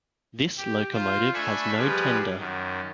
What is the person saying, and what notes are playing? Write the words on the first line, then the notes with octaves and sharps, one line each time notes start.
This locomotive has no tender.
G4
F4 C5
A3 D4 E5 G#5 B5 C#6
F3 G3 G4 G#4 B4
F#2 D#3